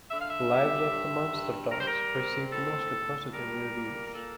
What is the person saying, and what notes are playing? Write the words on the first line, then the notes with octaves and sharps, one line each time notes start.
"Lives of the Monster Dogs" received mostly positive reviews.
D3 E5
F5
E5
G3
G2
G2
G3 A#4
C5
A#4
C4
A2 A4
A2
G3 A#4
A#3
A#4
A#2 A4